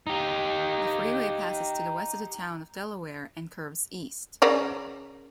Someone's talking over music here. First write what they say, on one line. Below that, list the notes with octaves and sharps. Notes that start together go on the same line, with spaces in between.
The freeway passes to the west of the town of Delaware and curves east.
D#4 G4
C#3 A#4 D5